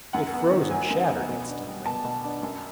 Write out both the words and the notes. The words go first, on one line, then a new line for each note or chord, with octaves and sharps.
It froze and shattered instantly.
F#2 F#5
B3
D#3
F#3 G#5
F#2
B3
B2
D4
G3
B3 A5
B2
D4
F#2